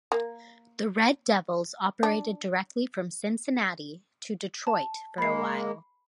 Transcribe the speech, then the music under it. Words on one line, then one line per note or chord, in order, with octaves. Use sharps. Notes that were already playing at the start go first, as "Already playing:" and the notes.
The Red Devils operated directly from Cincinnati to Detroit for a while.
A#3
D4
A5
G#3 A#3 B5 C7